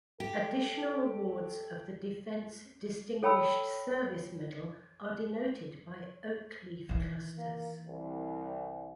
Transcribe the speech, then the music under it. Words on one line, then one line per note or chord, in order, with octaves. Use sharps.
Additional awards of the Defense Distinguished Service Medal are denoted by oak leaf clusters.
G4 A4
A4 C#5 G5 A5 B5 E6
D#3 E3
A#3
C2